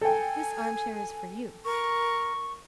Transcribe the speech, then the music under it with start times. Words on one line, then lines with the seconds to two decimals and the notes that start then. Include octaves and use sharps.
This armchair is for you.
0.01 A4 G5 G#5
1.65 A#4 C#6